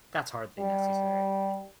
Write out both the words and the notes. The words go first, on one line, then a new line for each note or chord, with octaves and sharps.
That's hardly necessary.
G3